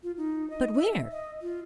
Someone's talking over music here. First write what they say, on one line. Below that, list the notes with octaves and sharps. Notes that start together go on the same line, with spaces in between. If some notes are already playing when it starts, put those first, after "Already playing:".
"But where?"
F4
D#4
D#5
E5
D#5
F4